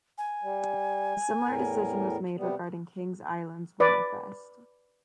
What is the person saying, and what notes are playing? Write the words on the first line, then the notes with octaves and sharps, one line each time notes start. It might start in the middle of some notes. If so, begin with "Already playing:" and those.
A similar decision was made regarding Kings Island's Winterfest.
G#5
G3
E2 A2 A#4
C3 G3 B3
B4 D5